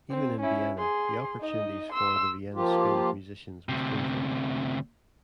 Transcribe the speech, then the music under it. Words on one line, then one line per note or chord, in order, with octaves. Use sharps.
Even in Vienna, the opportunities for the Vienna School of musicians was dwindling.
C4
C#4 E4
G#4 C6
D#4 D#5
C6 E6
F3 A#3 F4 G4
D2 C3